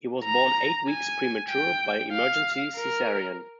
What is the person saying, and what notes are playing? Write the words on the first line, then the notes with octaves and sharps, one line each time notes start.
He was born eight weeks premature by emergency Caesarean.
A#5
G#5
G5
F5
A#4